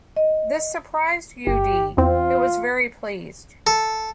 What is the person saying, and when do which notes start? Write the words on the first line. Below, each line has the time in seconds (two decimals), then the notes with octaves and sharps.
This surprised Yu Di, who was very pleased.
0.17 D#5
1.47 G1 G4
1.97 E2 C4 F4
3.67 A4